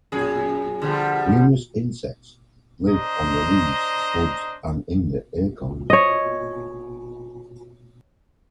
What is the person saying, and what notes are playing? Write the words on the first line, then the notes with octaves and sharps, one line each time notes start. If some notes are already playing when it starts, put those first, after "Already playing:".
Numerous insects live on the leaves, buds, and in the acorns.
F#2 G#4
D3 F3 G3
D4 C5 D#5 A#5
C#5 D#5